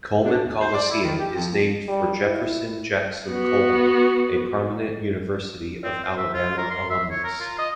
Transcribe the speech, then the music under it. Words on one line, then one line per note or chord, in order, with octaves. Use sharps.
Coleman Coliseum is named for Jefferson Jackson Coleman, a prominent University of Alabama alumnus.
D4
D#2
C5
D5
E4
D#3
G4
F2
G3
E4
B3 F#4
C4
C5
E5
F4
A#4
C6
E5
C#5
A#4
F4
D#5